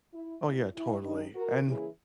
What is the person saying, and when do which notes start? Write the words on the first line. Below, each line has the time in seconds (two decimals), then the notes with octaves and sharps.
Oh, yeah, totally. And f
0.14 E4
0.44 B2 G#3 C#4 E4
0.75 E4
1.04 D#3 G#3 C#4 D#4
1.35 F#4 A#4
1.65 C#3 E3 A#3 C#4 E4 G#4